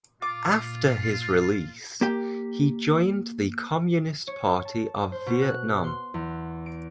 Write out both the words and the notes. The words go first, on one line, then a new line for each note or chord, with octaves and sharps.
After his release, he joined the Communist Party of Vietnam.
A#2 F4 D6
A#3 G4 G5
C#5
A5
C5
B2
F#6
C6
E2
D7